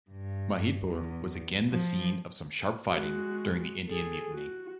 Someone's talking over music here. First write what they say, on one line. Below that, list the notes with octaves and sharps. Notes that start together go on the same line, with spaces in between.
Mahidpur was again the scene of some sharp fighting during the Indian Mutiny.
G2
E2
F3
G#3 F#4
G#4 A4
F#4